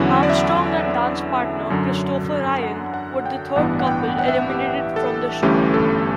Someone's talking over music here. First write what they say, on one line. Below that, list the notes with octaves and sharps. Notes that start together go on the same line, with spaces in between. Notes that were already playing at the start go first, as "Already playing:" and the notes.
Armstrong and dance partner, Christopher Ryan, were the third couple eliminated from the show.
Already playing: E2 D3 F#3 C#4 E4 F#5
D5
E5
F#2 D3 F#3
F#5
F#5
G5
A1 G2 E3 B3 D4 F#5
F#5
G5
F#5
E5
F#5
G4
A4
G1 G2 E3 A3 C#4 G4
A4